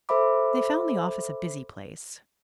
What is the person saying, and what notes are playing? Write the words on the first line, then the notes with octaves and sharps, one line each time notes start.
They found the office a busy place.
A4 C5 E5 B5 D6